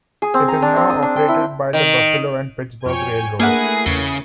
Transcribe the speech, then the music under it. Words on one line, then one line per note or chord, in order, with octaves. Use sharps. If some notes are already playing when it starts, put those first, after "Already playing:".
It is now operated by the Buffalo and Pittsburgh Railroad.
G#4
C4
A#5
D4
C4
D#6
D4
G5
E4
D#3
F2 C#5 G5 G#5
A3 A#3 D4 E4 G#4 A#4 B4 F#5
E2 C#3